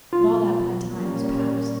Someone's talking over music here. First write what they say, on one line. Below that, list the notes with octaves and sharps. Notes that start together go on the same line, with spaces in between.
But all that bad time is past.
B2 F#3 B3 F4
A#2 G3 A#3 C#4